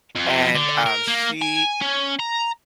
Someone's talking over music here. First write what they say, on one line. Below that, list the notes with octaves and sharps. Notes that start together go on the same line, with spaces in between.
and, um, she
F2
D3
A#4
A#3
G#5
C#4
A#5